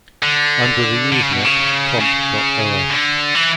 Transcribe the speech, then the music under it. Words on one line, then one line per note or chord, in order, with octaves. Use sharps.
Under the Usenet comp.os.
D3
D3
C#3
B2
C#3
C#3
D3
E3